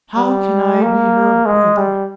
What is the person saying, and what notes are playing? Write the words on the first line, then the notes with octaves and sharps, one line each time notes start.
How can I be her brother?
G3
A#3
G#3
G3